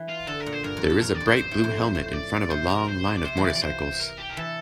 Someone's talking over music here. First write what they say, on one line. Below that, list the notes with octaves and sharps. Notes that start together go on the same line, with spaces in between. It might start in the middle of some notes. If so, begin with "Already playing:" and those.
There is a bright blue helmet in front of a long line of motorcycles.
Already playing: E3
F4
D3 A4
A#4
A#2
C5
G2 A#4
F2
A4
G2
F2 A#4
D5
F2
C5
G2
A2
F2
A2
D5
C3 C5
A#4
C5
D5
C3 C5
E3
D5
F3
D5
E3 C5
A#4
G4
A#4
E3 A4